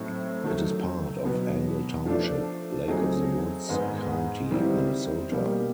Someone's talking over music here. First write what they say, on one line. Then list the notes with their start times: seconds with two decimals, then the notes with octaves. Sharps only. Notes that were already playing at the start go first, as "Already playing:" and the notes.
It is part of Angle Township, Lake of the Woods County, Minnesota.
Already playing: A2 F#3 A3 C4 D#4
0.44 D#3 F#3 A3
1.25 B2 F#3 B3
2.06 F3 A3 D4
2.88 F#3 A3 C4 D#4 G#4
3.69 G#2 D#3 G#3 B3 D#4
4.51 D#3 G3 C4 E4
5.32 B2 G3 A#3